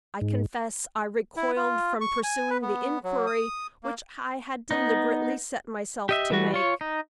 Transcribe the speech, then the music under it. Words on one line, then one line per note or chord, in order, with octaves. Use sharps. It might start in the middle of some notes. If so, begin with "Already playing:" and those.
I confess I recoiled from pursuing the inquiry which I had deliberately set myself to make.
G#2
E4
F4
C#6
G#5
B4
B3
F#3
D#6
A#3
B3 D#4
G4 D#5 E5
E3 G3 F#4
F4 C#5
D#4